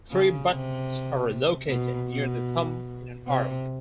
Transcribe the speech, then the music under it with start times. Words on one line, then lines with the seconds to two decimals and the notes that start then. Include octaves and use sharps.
Three buttons are located near the thumb in an arc.
0.11 C#3
0.51 C3
1.69 B2
2.09 B2
3.27 C3